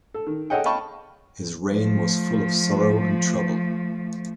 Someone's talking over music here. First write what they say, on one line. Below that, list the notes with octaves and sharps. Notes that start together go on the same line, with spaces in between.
His reign was full of sorrow and trouble.
A4
D#3
G#4 A4 C#5 D#5 F#5 G5
D#5 F5 G5 A5 B5 C#6
F3 A3